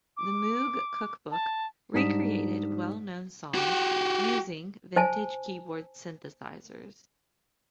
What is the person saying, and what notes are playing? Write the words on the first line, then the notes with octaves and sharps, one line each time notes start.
The Moog Cookbook recreated well-known songs using vintage keyboard synthesizers.
D6
A5
G#2 G3 D4 D#6 B6 E7
F#4 G4
C5 G#5 A5